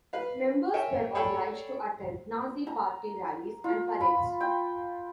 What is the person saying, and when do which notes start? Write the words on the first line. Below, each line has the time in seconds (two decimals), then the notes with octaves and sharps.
Members were obliged to attend Nazi party rallies and parades.
0.13 B4 F5
0.73 A#4 C#5 E5 G5 G#5
1.14 G#4 A4 C#5 D5 G5 B5
2.67 A#5
3.64 F4
4.00 B5
4.40 G5